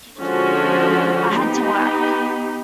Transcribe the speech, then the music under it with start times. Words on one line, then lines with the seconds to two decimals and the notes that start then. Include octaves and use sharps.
I had to work.
0.20 D3 F3 G#3 C#4 F#4
1.37 B3 D#4 G4